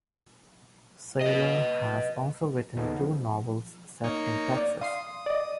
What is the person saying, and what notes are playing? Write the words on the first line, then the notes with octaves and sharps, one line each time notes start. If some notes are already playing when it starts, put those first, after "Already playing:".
Saylor has also written two novels set in Texas.
B4 D#5
D#2 C#3 B3 D#4 G#4 A4
F3
A#3 D#4 C#5
D5
F5 C6 D#6 C7
D5 D#5